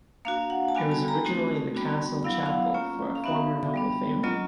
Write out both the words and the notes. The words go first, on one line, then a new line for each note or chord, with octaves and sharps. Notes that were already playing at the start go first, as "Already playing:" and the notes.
It was originally the castle chapel for a former noble family.
A#3 D4 F#4 F5
F#5
A5
G3 B3 D4 F#4 G#5
A5
A#5
A3 C4 D#4 F#4 A5
G3 B3 D4 F#4
F#3 B3 E4 F5
F#5
F5
A#3 C#4 F4
F5
B3 D#4 F#4 E5
G3 B3 D4
F#3 A#3 C#4 F4 D#5